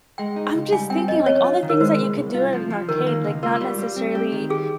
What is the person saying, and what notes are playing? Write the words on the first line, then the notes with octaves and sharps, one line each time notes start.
I'm just thinking, like, all the things that you could do at an ar arcade, like, not necessarily,
G#3 G5
D#4
C#2
G3 G#5
C4 G5
F2 D#5
C#4 C#5
F4
D#3
A#4
G#3 C5
C2
C2
F4
F3
F3
D#3 A#4
A#3
C#2
F4 A#4
G3
G3
C4
G4
D#3
G4 G#4